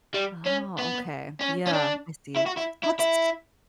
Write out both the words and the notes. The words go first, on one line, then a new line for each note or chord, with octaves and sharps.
Oh okay, yeah, I see it. Let's
G3
C#4
B3
C#4
C#4
D4
E4
F#4
E4
E4
E4